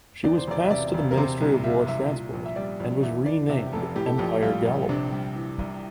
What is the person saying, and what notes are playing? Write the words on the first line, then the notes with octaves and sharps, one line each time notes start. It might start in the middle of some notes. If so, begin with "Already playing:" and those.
She was passed to the Ministry of War Transport and was renamed "Empire Galway".
E2 D5
C5
E1 D5
E5
C3 D5
E1
A#4
C3 C5
C2
G3 E5
C2 E5
A#2
A#1
E5
G3 D5
A#1
E2 E5
E3 D5
C3 E5
G4
F1 A4
A2 G4
A4
A#1 G4
G3 F4
A#1
C3 D4
G3
E3
C2